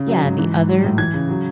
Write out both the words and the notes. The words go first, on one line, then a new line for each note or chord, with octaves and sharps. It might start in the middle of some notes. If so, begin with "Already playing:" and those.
yeah, the other
Already playing: C#3
F#3
G#2
E3
G#2
F#3
A2
E3 G#6
C#3
F#3